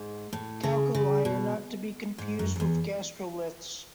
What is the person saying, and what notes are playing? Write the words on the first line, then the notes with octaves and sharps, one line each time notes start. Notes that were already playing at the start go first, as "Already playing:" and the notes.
Calculi are not to be confused with gastroliths.
Already playing: G#2
A2
C#3
C#3
B2
G#2
F#2
F#2
E2